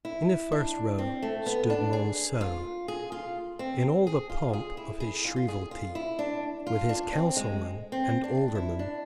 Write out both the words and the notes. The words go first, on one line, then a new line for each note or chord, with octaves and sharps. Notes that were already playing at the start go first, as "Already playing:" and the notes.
In the first row stood Monceux, in all the pomp of his shrievalty, with his councilmen and aldermen.
E4
D4
C4
A3
B3
D4
G#4
F4
G#4
F4
C4
G#4
F4
G#4
E4
G#4
F4
F4
G#4
F4
E4
D4
F4
D4
C4
G#3
C4
D4
E4
D4